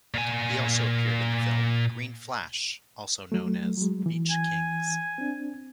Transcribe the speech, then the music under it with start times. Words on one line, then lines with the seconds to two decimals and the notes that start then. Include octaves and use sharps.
He also appeared in the film "Green Flash", also known as "Beach Kings".
0.14 A#2 G#5
3.32 F#3 A3
3.77 F#3 G#3
4.06 E3
4.31 G#5
5.18 C4 D4